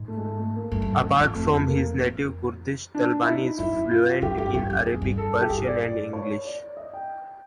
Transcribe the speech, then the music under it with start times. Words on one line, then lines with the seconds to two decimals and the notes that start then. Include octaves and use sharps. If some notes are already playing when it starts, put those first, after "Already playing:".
Apart from his native Kurdish, Talabani is fluent in Arabic, Persian, and English.
Already playing: G#2
0.08 A3
0.17 G#3
0.23 A3
0.39 A3
0.56 A#3
0.71 G2 A3
0.82 G2
0.93 F#2
1.03 F2 A3
1.19 F2
1.35 F2 A3
1.68 A#3
1.99 F2
2.95 D4
3.22 E4
3.26 D#4
3.58 F#2 E4
3.91 F4
4.22 F#2 G4
4.38 G2 G4
4.54 G2 G4
4.70 F#2
4.86 F2 G#4
5.02 G2
5.18 A4
5.41 G4
5.50 G2 G#4
5.66 D5
6.13 C#5
6.45 D5
6.77 D#5
6.93 G5